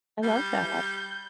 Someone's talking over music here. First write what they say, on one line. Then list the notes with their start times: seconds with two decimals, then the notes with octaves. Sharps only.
I love that.
0.24 G3 G6